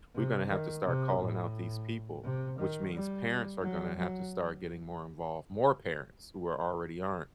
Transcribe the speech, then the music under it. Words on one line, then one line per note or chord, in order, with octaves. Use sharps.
We're gonna have to start calling out these people, which means parents are gonna have to start getting more involved, more parents who are already aren't
C3
D#3
C3
A2
C3
D#3
G3
F#3
F#3